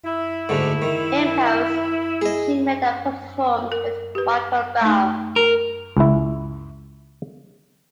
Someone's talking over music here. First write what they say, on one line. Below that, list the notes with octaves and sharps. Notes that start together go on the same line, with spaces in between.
In Paris, she met and performed with Michael Balfe.
E4
D2 G#2 D3
D#3
G#4 D#5
A#4
G4 B4
A3 D#4
A#4
C#2 E4